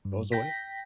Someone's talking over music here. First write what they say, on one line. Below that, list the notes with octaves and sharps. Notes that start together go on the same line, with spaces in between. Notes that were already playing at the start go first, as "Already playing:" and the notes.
goes away.
G2
G5 G6 A#6 B6